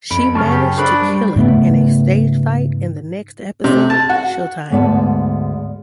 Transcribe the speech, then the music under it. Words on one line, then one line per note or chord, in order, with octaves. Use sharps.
She managed to kill it in a staged fight in the next episode "Showtime".
F2 B5 D7
F#2 C#3 A5 C#6 F6
G4
D4 G#4 A#4 C5 B5 C#6 F#6
G3
G#2 C#3 A3 B3
C3
A5
F#4
D2 G#2 B3 D5 A5